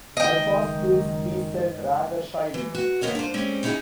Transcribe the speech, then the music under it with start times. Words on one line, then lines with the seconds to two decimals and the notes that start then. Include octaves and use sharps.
"My first-fruits," he said, rather shyly.
0.17 F#1 D#3 G#3 D#5 G5
2.54 E3
2.74 F#4
3.01 D#2 B3 A#4 C#5 D#5
3.15 D4 F4 C5
3.34 G3 G#3 C4 C#4
3.63 C#4 D#4 E4 F#4 G#4